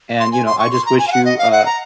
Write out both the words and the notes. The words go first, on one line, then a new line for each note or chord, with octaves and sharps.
and, you know, I just wish you, uh,
C6
G#5
C6
C#6
C6
A#5
G#5
F5
F#5
D#5
F5
F#5
A#5